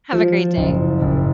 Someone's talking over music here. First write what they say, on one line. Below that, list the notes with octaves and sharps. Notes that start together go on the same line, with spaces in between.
Have a great day.
F3
F#1
F#1